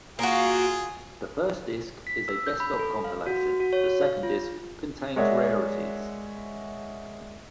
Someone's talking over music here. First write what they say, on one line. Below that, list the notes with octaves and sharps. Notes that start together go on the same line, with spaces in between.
The first disc is a best-of compilation; the second disc contains rarities.
A#3 F4 F#4 G#4
B6
E6
G6
B5
A4
F5
F#4
F#4
C#5
F5
F4
G#3 A#4 C#5 D5 E5 F#5